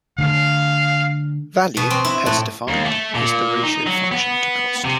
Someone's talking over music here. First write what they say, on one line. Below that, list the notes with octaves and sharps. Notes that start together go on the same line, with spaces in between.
Value, as defined, is the ratio of function to cost.
D3 A3 F5
B2
C4
E4
A2
D#2
A3
A#2
D#4
F#3
B3
C3